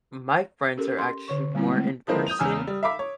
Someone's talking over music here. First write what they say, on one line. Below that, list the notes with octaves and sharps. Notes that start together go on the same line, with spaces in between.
my friends are actually more in person,
C#4 G4 A4 A#4
C6
D3 C#5 C#6
G3 A#3 C4 E4
G#3 A3 C4
F3 G#3 A#3 C4 E4 B4
D#6 G6 D#7 F7
E2 C#3 G#5 E6 F6
G3
E5 F5 B5 D6 B6
C#5